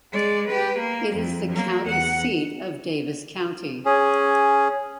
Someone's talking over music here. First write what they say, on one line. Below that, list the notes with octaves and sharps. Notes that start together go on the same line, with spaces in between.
It is the county seat of Davis County.
G#3 D5
G4 B4
A#3
F2
F#3 A#3
E2 F#5
C#4 G#4